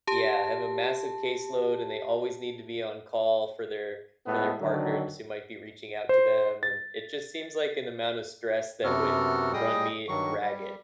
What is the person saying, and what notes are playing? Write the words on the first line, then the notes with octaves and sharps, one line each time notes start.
Yeah, have a massive caseload, and they always need to be on call for their for their partners who might be reaching out to them, and it just seems like an amount of stress that would run me ragged.
G4 A5
A2 G#3 B3
D3 D#3 F#3
C5
A6
F#2 C3 B3 F#4 A4 F6
A2 G3 G#4 D#5 G5 D#6
G2 D#3 F#3 C#6
G3